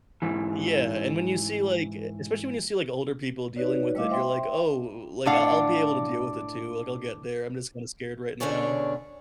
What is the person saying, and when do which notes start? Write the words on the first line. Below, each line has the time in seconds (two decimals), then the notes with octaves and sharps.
Yeah, and when you see, like e especially when you see, like, older people dealing with it, you're like, "Oh, like, I'll I'll be able to deal with it, too, like, I'll get there, I'm just kinda scared right now."
0.22 G#2 E3
3.56 D#4 F#4 B4 C#5 D5
3.95 G3 A3 E4 D#5 F5 D6
4.09 C5 E5 G5 C6
5.26 A2 D4 F5 F#5
8.40 B2 D3 C#4 G#4 C#5 D5